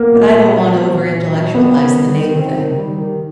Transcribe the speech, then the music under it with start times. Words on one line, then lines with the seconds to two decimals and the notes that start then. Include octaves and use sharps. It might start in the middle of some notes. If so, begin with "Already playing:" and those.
But I don't want to over-intellectualize the name thing.
Already playing: A#3 B3
0.12 A#2
0.32 F#3
0.53 D4
0.73 B3
0.94 A#2
1.14 F#3
1.34 D4
1.54 B3 C4
1.75 D#3
1.96 G3
2.17 D#3
2.37 C4
2.57 D#3
2.79 G3
2.98 D#3